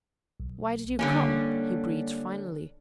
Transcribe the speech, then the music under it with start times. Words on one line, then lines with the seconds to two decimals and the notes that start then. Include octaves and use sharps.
"Why did you come?" he breathed finally.
0.40 B1
0.99 D3 G3 A#3 C#4